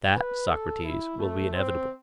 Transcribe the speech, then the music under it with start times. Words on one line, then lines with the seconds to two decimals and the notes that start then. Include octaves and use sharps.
That, Socrates, will be inevitable.
0.14 B4
0.48 A4
0.84 E4
1.18 A3
1.52 C4